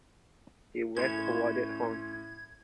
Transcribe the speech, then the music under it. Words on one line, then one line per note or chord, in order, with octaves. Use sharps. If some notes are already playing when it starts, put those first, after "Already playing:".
He was awarded Hon.
A2 C#4 C5 C#5 G#6